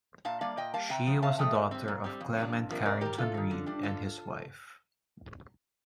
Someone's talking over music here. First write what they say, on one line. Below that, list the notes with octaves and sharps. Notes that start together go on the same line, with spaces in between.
She was the daughter of Clement Carrington Read and his wife.
A#2 F5 A5
G3 A#3 D5 F5
A#2 D#5 G5
G3 A#3 F5 A5
C3 G5 A#5
F3 A3
C3 F5 A5
F3 A3 D#5 G5
A#2
G3 C4
A#2
G3 C4
F2
C3 F3 A#3 D4
F2
C3 F3 A#3 D4
C3 A#4 D5
D#3 G3 G4 A#4
C3 F4 A4
D#3 G3
D3
G3 D4
D3 F4 A4